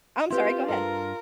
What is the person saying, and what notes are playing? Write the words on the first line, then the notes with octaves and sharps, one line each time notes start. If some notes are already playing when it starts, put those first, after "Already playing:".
Oh, I'm sorry, go ahead.
C4 E4 F4 G4 B4 C6
G2 D4 A4 A#4